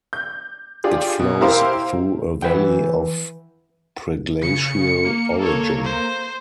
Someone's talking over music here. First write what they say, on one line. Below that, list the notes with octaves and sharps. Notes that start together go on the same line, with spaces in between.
It flows through a valley of preglacial origin.
G6
D4 F4 G4 G#4
B2
E4 G4 A#4 C5 F5
E3 B4 F#5 G5
C#3 C#7
A#3
A4 C#5
C5